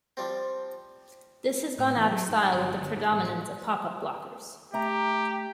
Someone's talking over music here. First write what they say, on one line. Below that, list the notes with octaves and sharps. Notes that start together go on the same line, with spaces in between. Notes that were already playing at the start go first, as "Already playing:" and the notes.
This has gone out of style with the predominance of pop-up blockers.
F3 G3 C4
A2
E3
F#3
G#2
G1
G1
G#2
A1
A3 G4 A#5